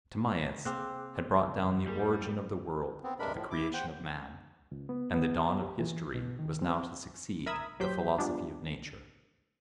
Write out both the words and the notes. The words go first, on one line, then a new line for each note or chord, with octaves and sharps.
Timaeus had brought down the origin of the world to the creation of man, and the dawn of history was now to succeed the philosophy of nature.
C3 A#3 C4 G#4 F5 D6 F#6
F1 C3 E3 A#4
G3 A#3 G#4 A#4
B3 C4
G2 C3 G#3 D4 A#4 B5
A2 F3
E4 D6
C5 F#5 G5
C#2
B3
B3
G4
E3
B2
D#3
C4
A#4 E5 B5 D#6 E6 G#6
A#1 F#3 G4 C5 G6 B6
F3 G3 G#3 B3 D4